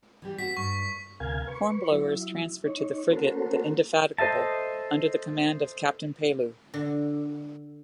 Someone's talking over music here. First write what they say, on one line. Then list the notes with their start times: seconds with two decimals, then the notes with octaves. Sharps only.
Hornblower is transferred to the frigate the "Indefatigable", under the command of Captain Pellew.
0.22 E3 G3 G4
0.39 C4 F#4 B6
0.57 G2 C#6
1.20 D2 C3 A#4 F5 G#5 G#6
1.47 B4 C#6
1.91 F#3 E4
2.65 D#4 C#5
3.10 A#3 C#4 F#4 A4 A#4 C5
4.18 A4 C5 D#5 E5 A5
6.74 D3